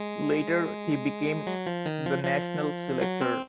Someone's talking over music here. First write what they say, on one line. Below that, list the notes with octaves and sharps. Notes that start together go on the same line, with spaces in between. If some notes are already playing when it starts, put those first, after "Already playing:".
Later, he became the national selector.
Already playing: G#3
F#3
F3
D#3
F3
F3
F#3
C4